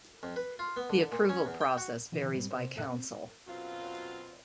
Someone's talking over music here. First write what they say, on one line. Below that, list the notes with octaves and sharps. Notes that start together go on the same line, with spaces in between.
The approval process varies by council.
F2
B4
F4
B3
D3
A#2
C#4
E2
G5
F#4
B2 D3 E3
G#2 G3 C4
C3 C5
F#2 A#2 A4 E5 F#6
C4
F#2 B2 C4 F4